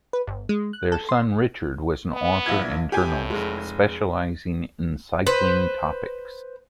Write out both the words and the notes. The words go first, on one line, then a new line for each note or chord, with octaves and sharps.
Their son Richard was an author and journalist specializing in cycling topics.
B4
G1
G#3
F#6
A4
C6
B3
A#1 E4 G#6
A2 G4 G#5
F1 G#3
B4 C5